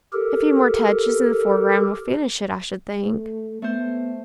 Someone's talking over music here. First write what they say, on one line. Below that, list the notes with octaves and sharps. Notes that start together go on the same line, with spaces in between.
'A few more touches in the foreground will finish it, I should think.
G4 A4 A#4
A3
A3 B3 C5